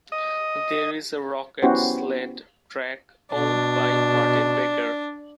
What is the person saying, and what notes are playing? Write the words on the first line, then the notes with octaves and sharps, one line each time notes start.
There is a rocket sled track owned by Martin-Baker.
D#5
B3 C#4 E4 F#4 G4 C5
B2 D4